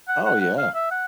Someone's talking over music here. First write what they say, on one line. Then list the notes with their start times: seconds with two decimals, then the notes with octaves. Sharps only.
Oh, yeah.
0.08 F#5
0.25 F#5
0.41 F#5
0.58 F5
0.75 E5
0.91 F#5